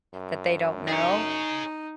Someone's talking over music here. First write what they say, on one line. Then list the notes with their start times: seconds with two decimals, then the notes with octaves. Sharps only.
that they don't know,
0.14 F#2
0.88 D#4 G#4 C#5